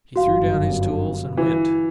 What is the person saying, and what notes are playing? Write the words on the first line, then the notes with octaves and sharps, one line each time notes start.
He threw down his tools and went.
G1 F#2 F#4 F5
E3